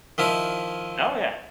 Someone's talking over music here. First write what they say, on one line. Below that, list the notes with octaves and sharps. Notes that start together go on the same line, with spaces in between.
Oh, yeah.
D#3 F3 E4